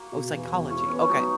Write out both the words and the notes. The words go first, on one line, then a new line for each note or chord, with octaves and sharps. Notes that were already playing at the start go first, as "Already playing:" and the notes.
Oh, psychology. Okay,
Already playing: A#3 F#4
B2
E2
E1
C#4 E4
B3 C#4
F#3 D#4